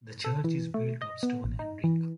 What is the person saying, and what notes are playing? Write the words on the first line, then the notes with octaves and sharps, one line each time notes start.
The church is built of stone and brick.
A4
E3
A3
D#5
B3
A1
D#4
E3